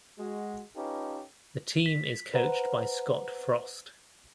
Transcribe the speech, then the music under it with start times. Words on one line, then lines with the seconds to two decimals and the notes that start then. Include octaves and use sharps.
The team is coached by Scott Frost.
0.18 G#3 F#4
0.75 C#4 D#4 F4 G4 A4 B4
1.86 B6
2.34 B4 C5 F#5 A#5